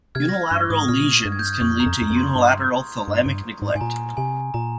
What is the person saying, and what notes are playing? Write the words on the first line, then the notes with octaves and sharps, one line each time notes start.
Unilateral lesions can lead to unilateral thalamic neglect.
C3 F6 G#6
A#6
F6 G#6
G2 C#6
G#2 D#6
A#2 F6
G2
G#6
G6
F6
D#6
F2 C#6
A#5
F2
F2 A#5
F2
C6
G2
G2
G2
G#2
G#2 G#5
A#2 A#5
C3 G#5
A#2 A#5